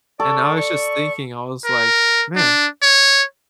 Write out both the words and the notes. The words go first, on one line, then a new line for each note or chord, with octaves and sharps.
and I was just thinking, I was like, "Man"
A4 D5 C#6
D5 C#6
A#4
D4
C#5